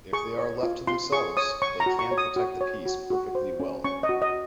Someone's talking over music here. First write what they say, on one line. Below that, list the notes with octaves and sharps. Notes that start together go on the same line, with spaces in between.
If they are left to themselves, they can protect the peace perfectly well.
G#4 C#6
C#5
F4
F4 C6
G#4 C#6
C#5 D#6
C#5 C#6
A#5
F#4
C#6
C#5
D#6
F#4
C#5
F#4
F#4
C5
C#4
C#4 C#6
D#5
F#4
D#5